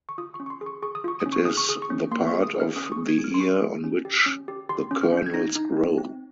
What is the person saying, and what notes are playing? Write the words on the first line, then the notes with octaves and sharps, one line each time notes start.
It is the part of the ear on which the kernels grow.
C#6
F4 D#6
C#6
C#4
C#6
C6
G#4
C#6
G#4 C#6
D#6
F4 C#6
D#6
C#4
C#6
G#4 D#6
C#6
G#4 D#6
C#6
C#4
A#3 C6
C#6
G#4
D#6
G#4
F6
C#4 D#6
D#6
C#6
G#4
G#6
G#4
F6
C6
C#4 C#6
G#4
C#4
G4
C#4
G4
G4 C6
C#4
F6
C#4
G6
G#6
D#4 A#6
D#4
D#4
C4